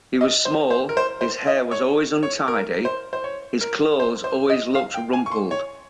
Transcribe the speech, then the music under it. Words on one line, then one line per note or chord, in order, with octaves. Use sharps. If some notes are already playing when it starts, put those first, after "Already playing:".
He was small, his hair was always untidy, his clothes always looked rumpled.
D#5
C5
C5
A#4
C5
C5
D#5
C#5
C#5
A#4
C5
C5
C#5
A#4
C5
C5
D#5
F5
G5
G#5
C#6
C6
C#5